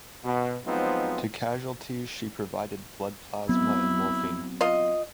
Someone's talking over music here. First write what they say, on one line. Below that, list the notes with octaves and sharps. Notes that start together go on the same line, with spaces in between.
To casualties she provided blood plasma and morphine.
B2
F3 F#3 G#3 B3 C4 D#4
F#3 B3 C4 E4
F4 D#5